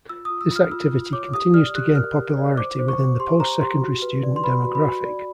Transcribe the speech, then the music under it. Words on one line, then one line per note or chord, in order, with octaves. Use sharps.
This activity continues to gain popularity within the post-secondary student demographic.
F4 E6
F4 D#6
E6
F4
F6
F4 E6
F4
C#5 D6
G4 D#6
D5 F6
G4 F#6
A#4 F6
G4
D5
C5 D6
C5
C#6
C5
G4 C6
C5 A#5
G4 C6
F#4
B4
D5
C6
B4 B5
F#4
B5
F#4
D5